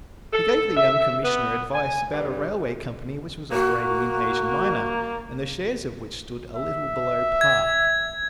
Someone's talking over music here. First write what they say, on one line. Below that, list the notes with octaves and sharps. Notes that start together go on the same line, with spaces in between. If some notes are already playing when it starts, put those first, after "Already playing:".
He gave the young Commissioner advice about a railway company which was operating in Asia Minor, and the shares of which stood a little below par.
A4
E5
B3
G#5
G2
A#3 F#4
E5
G#6